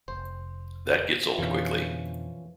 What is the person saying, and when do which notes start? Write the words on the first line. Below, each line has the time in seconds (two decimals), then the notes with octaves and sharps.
That gets old quickly.
0.08 F1 C5
1.38 F2 B2 D3 E3 F3 C#4